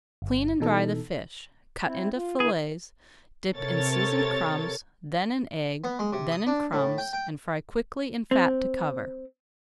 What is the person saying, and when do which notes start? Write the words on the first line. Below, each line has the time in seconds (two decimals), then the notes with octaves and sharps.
Clean and dry the fish, cut into fillets, dip in seasoned crumbs, then in egg, then in crumbs, and fry quickly in fat to cover.
0.22 G1
0.60 B2 E3 D#4 A4
1.86 C4 E4
2.16 F4
2.40 D3 E4 G#4 B4
3.56 C3 A4 A#4 C#5 A6
5.84 B3
5.99 G#3
6.13 C3
6.32 D#6
6.47 D4
6.73 A2
6.98 G5
7.13 G5
8.31 C4